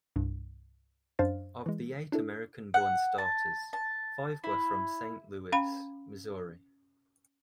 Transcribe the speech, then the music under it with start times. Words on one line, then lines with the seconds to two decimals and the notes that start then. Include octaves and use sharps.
Of the eight American-born starters, five were from Saint Louis, Missouri.
0.16 C2 G2
1.19 F#2 D4 C5 F5 A6
1.66 E3 G#3
2.12 D4 E4 A4
2.74 F#5
3.18 A5
3.73 A5
4.44 E4
5.52 C#4 F5 G5 B5